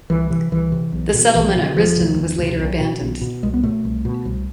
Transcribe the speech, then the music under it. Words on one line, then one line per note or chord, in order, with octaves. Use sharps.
The settlement at Risdon was later abandoned.
C2 E3
C3 E3
C2 E3
C3
B1
B2
B1 E3
F3
B2
D3
E1 F3
D2 C3
E1
D2 C3
B1
B2
B1
B2
C2 G#3
B3
B2 A3
C2
B2
C2